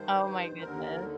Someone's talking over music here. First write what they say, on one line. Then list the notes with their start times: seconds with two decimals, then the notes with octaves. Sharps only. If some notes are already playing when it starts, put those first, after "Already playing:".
Oh my goodness.
Already playing: G2 D#3 C5
0.60 D#2 D3 A#4